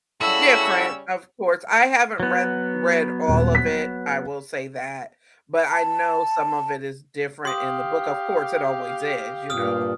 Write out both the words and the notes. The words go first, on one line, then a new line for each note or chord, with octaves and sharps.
Different, of course, I haven't read read all of it, I will say that, but I know some of it is different in the book, of course, it always is, you know,
C#3 G3 C#4 E4 F#4 A4 E5 E6
F#3 B3
D#1
B6
A5
G4 F5 C6 D#6
G2 A#2 D#6 F6